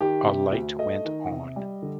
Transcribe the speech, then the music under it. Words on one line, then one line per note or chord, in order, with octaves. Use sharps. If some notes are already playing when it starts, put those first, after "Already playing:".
A light went on.
D#3 G4
C3
D2
A3 D#5
D#3
C3
G3
D3